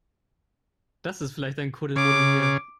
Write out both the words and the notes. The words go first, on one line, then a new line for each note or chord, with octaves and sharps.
Das ist vielleicht ein Kuddelmuddel hier.
C#3 D6